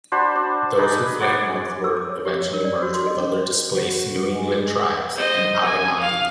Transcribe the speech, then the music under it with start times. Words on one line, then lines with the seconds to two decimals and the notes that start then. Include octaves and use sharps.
Those who fled northward eventually merged with other displaced New England tribes and Abenaki.
0.12 D4 F#4 C5 B5
0.36 D4
0.78 D#4 G#4 B4 D5
1.21 F#4 C#5 D5
1.84 E6
1.97 D6
2.09 C#5
2.25 G4
2.42 C#5
2.53 A#4
2.65 D5
2.82 F#4
2.94 C6
3.06 D#5
3.20 C#4
3.74 F#4
4.33 G#3
5.16 C5 D#5
5.64 G#5
6.00 F5